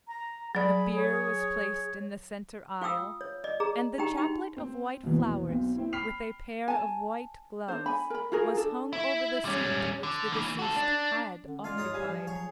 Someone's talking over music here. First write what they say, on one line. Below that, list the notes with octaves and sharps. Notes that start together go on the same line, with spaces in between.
The bier was placed in the centre aisle, and the chaplet of white flowers, with a pair of white gloves, was hung over the seat which the deceased had occupied.
A#5
F#3 G#4 D5 B5
C#5
F4 F5 G5 D#6 E6
C#5
D5 D#5
G#4 A#5
D#4 G4 G5 A#5
D#4 F#4 G5
C4
A#1 E2 B2 E3
B1 C4
C4 E4
G5 B5 F6 B6 C7 F7
G#5 A5
D4 D#4 C5
G#5 B5
A#4 B5
F4 F#4 G#4 A#4
D4 A4
E4
G3 C#4
D3
E3 A#3
F#4 A4
D4
D3 C#4
G#3 F4 D5 F5 G#5
G#2 D#4 G#4 C#5 A#5
G3 F5 G#5
F3 G#4
F#3 C#5 F5